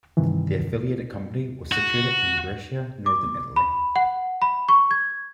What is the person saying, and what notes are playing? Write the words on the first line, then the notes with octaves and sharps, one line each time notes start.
The affiliated company was situated in Brescia, Northern Italy.
G2 C3 D#3 E3
F#4
D6
B5
F#5
B5
C#6
G#6